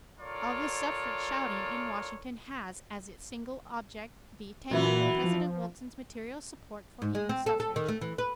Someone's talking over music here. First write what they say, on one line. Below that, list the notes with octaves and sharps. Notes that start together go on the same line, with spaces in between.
All this suffrage shouting in Washington has as its single object the attainment of President Wilson's material support for equal suffrage . . . .
F4 A4 A#4 C#5 D5
F#2 A#2 E3 E4 F#4
F3
G#2
G#3
C4
A4
A4
D#3
A3
E3
B4